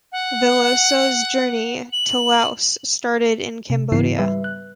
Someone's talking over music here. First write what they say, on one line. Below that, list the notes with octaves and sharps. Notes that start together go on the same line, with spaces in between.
Veloso's journey to Laos started in Cambodia.
F#5
F#7
C3
G#2 C#3 E3 B3 E4 C7
G3 B4 E5
F#6